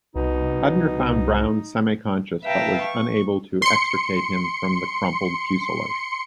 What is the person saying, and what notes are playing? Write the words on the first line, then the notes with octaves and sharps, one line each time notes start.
Hudner found Brown semi-conscious, but was unable to extricate him from the crumpled fuselage.
C2 B2 D#4
B4 E5 F5 G5 A5 A#5
C#6
C6 C#7